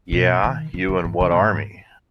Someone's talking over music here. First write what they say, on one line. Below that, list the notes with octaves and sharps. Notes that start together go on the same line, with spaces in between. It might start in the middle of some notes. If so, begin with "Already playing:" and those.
Yeah, you and what army?
B2
D#3
C#3
C#3
G#2
C#3
B2
G#2